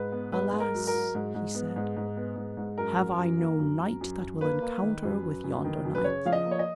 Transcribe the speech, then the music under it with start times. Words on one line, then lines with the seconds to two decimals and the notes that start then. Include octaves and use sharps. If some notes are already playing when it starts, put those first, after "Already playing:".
Alas, he said, have I no knight that will encounter with yonder knight?
Already playing: G#2 B4
0.12 B3
0.32 G#2 B4
0.52 G#2
0.60 A#4
0.74 F#3
0.87 A#4
0.93 F#3
1.15 G#2
1.35 G#2
1.55 B3
1.76 G#2
1.97 G#2
2.17 B3
2.36 G#2
2.57 G#2
2.78 F#2 A#4
2.98 F#2
3.18 F#2
3.39 A#3
3.59 F#2
3.80 F#2
4.01 F#2
4.20 F#2
4.41 A#3 B4
4.62 A#3
4.82 D#3
5.03 F#2
5.23 F#2
5.44 F#2
5.64 D#3
5.85 F#2
5.95 B4
6.04 C#3 C#5
6.25 F3 F5
6.32 D#5
6.45 A#3
6.51 C#5
6.59 D#5